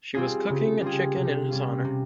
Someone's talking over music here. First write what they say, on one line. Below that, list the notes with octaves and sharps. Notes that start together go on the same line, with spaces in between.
She was cooking a chicken in his honour.
G3 C4 F4 G#4
C#3
G3 C4 F4 G#4
C3
G3 C#4 F4
C3